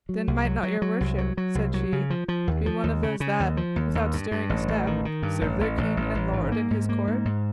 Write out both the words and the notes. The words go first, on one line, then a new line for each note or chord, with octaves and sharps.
"Then might not your worship," said she, "be one of those that, without stirring a step, serve their king and lord in his court?"
F#3
C2
F#3
F#3
F#3
C2
F#3
F#3
C2
F#3
C#3
F3
F3
D#2
F3
D#2
C#3
C#3
D#2
F3
D#2
D#2
G2
G2
A1
A1
D#3
D#3
G2
A1
A1
A1
A1
A1
G#2
A#3
G#2
A#3
G#2
G#2